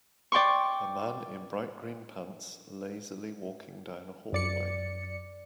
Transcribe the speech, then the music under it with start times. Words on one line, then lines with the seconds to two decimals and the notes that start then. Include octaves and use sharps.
A man in bright green pants lazily walking down a hallway.
0.32 D5 G5 C6 C#6
4.33 F#2 D5 C#7